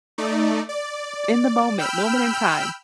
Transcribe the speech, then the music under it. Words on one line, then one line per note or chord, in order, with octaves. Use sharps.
In the moment, moment in time.
A3 D#4 D5
D5
G5 B5 E6 F6 G6